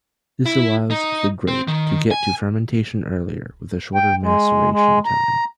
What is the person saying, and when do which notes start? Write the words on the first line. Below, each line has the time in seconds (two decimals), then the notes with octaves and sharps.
This allows the grape to get to fermentation earlier with a shorter maceration time.
0.46 E4
0.91 D#4
1.47 C4
1.67 D#3
2.11 G#5
3.95 G5
4.23 G#3
4.71 G#3
5.06 A#5